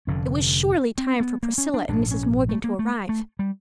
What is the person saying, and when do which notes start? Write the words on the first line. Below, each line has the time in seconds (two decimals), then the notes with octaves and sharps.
It was surely time for Priscilla and Mrs. Morgan to arrive.
0.07 F1 F2 D3 C#4
0.98 C4
1.20 B3
1.43 A#3
1.58 C#4
1.74 D4
1.89 A#1 G#2 D4
2.11 C#4
2.49 A3
2.64 A#3
2.79 A3
3.09 A3
3.39 G3